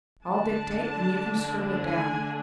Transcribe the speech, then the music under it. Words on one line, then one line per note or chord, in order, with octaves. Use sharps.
I’ll dictate, and you can scribble it down.
D3 A3 D4 A5
G#5